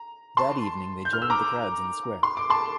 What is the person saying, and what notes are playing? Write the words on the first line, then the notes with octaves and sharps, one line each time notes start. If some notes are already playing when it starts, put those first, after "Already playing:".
That evening, they joined the crowds in the square.
Already playing: A#5
A5 C6
G6
F6
E6
A#5 D6
C6
D6
A5 C6